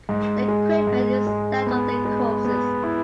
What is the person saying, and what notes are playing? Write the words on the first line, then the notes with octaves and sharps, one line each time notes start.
Their equipment is left on their corpses.
G#2
G#3
G#2
G#3
B3
G#3
B3
E4